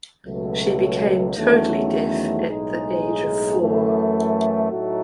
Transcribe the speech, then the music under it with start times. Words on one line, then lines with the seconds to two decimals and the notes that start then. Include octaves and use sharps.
She became totally deaf at the age of four.
0.24 C#2 B2 F#3 A3
1.35 E2 D#3 F#3 A3 C#4
2.47 B1 A2 G#3 D#4 G#4
3.58 F#2 E3 A3 E4
4.70 A2 F#3 A3 D#4 F#4